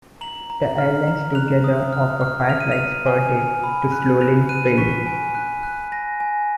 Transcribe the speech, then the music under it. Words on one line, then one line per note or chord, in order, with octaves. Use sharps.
The airlines together offer five flights per day to Sloulin Field.
A#5 F#7
A#5
F6
A#5
F#6 F7
D#6
F6
F6
F6 F7
D#7
F7
F6
G#5
G#5
B5
F#6
F#6 F7
F#6 D#7
C#6 B6
G#5
F#6
F#6
G#5 A#6
G#5